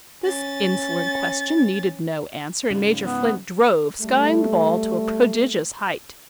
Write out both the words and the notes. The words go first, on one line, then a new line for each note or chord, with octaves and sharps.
This insolent question needed no answer, and Major Flint drove, skying the ball to a prodigious height.
C#4 A6
G#2 C#3
B3
G3 A3